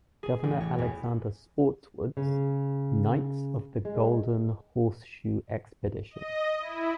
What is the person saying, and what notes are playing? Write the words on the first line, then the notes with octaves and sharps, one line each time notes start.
Governor Alexander Spotswood's "Knights of the Golden Horseshoe Expedition".
G#4
A1
C#5
E2
C#3
G#3
D#5
E4